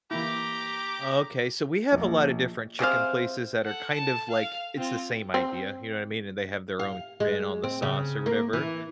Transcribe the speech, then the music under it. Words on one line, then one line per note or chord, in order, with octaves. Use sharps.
Okay. So we have a lot of different chicken places that are, kind of, like it's the same idea, you know what I mean, and they have their own spin on the sauce or whatever,
E3 A#3 E4 G4 A#5 D6
A#1
C3 G#4 C5 F5
A4 F#5
A5
F5
C4 F4
C4
F5
G#3
C4
C#3
A#3
E3